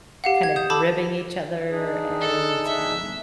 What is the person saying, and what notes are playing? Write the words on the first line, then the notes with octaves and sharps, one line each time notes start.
kind of ribbing each other and, um,
G4 F5 F#5
G#6
D#6 G6 E7
A4 A5 B5 D6 E6
D4 D#4 G#4
A4
E5